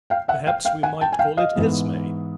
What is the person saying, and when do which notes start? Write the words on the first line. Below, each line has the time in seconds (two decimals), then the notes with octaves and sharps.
Perhaps we might call it Esme.
0.10 F5 G5
0.28 E5 F#5
0.47 F5 G5
0.65 F5 G5
0.83 F#5 G#5
1.01 G5 A5
1.12 G#5
1.19 F5 G5
1.37 D#5 F5
1.56 G#2 E3 G#3 B3